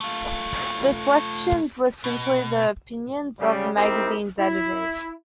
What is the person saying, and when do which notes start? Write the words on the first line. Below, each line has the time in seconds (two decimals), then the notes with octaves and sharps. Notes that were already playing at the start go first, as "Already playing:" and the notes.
The selections were simply the opinions of the magazine's editors.
0.01 A3 F4
2.04 B2
3.40 C#3 G3
3.76 C4 D#4 E4 G4 A#4
4.39 E4